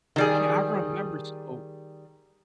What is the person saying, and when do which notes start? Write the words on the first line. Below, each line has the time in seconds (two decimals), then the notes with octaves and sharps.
Yeah, I remember so
0.16 D#3 G3 G#4